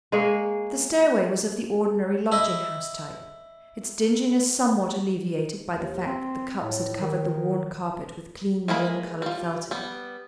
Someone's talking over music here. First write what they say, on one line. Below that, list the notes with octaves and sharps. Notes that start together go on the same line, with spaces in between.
The stairway was of the ordinary lodging-house type, its dinginess somewhat alleviated by the fact that the Cupps had covered the worn carpet with clean warm-coloured felting.
G#3 A#3 G#4 C#5
E4 D#5
D#2
C4
A2
D#3
E3 G#3 A#3 B5
G3 F4
G3 B3